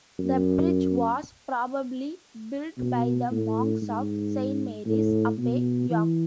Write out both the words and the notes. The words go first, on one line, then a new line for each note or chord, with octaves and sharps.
The bridge was probably built by the monks of Saint Mary's Abbey, York.
F#2
B2
A2
G#2
A2
B2
E3